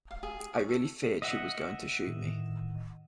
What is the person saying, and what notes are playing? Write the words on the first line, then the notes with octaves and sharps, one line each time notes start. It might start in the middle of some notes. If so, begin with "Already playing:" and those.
I really feared that she was going to shoot me.
F5
G#4
G#4
C#5
A4
D#5 E5 F#5 B6 C#7
A2 D#3